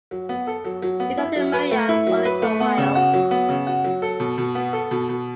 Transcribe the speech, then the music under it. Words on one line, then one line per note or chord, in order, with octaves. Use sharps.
He talked to Miriam for a little while.
F#3
B3
A4
F#3
F#3
B3
E4
F#3
B4
A3
E4
F#3
B4
A3
B3
C#3
F#4
F#3
B3
C#3
F#4
F#3
A4
B2
B2
B3
A4
B2
B2